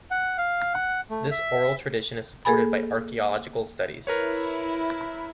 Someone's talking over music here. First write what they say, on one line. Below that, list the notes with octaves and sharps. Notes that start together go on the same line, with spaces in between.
This oral tradition is supported by archaeological studies.
F#5
F5
F#5
A3
E5
A#3 G#4 A4 G#5 B5
E4 A#4 B4 C#5